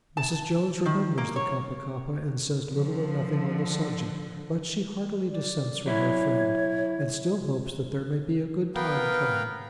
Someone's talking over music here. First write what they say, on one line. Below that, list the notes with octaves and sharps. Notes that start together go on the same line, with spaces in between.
Mrs. Jones remembers the Kappa-kappa and says little or nothing on the subject, but she heartily dissents from her friend, and still hopes that there may be a good time coming.
A5
D#3
A#3
C#5
D3 F3
D5
F#3 E4 C#5
B3 A#4 B4 F5 G5